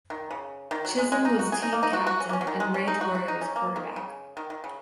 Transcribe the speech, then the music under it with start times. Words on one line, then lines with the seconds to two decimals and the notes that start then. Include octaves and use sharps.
Chism was team captain and Ray Torrey was quarterback.
0.10 D#3
0.31 C#3
0.71 D#3
0.85 F#3
0.98 G#3
1.12 G#3
1.25 D#4
1.39 F#4
1.52 G#4
1.62 D#4
1.73 A#3
1.83 D#4
1.93 F#4
2.07 F#4
2.20 C#4
2.29 A#3
2.33 C#4
2.41 F#3
2.47 D#3
2.60 G#3
2.74 C#4
2.88 D#4
3.01 F#4
3.15 F#4
3.28 D#4
3.41 C#4
3.56 A#3
3.76 D#3
3.96 C#3
4.37 D#3
4.50 D#3
4.64 C#3